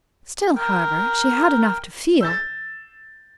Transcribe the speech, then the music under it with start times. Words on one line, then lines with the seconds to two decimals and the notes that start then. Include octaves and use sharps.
Still, however, she had enough to feel!
0.56 A#4 G5
2.21 E6 G6 A6